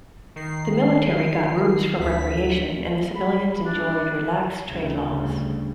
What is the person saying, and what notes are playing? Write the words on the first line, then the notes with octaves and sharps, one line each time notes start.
The military got rooms for recreation and the civilians enjoyed relaxed trade laws.
D#3 C7
D2 B6
B5
D4
D2 C#3 G3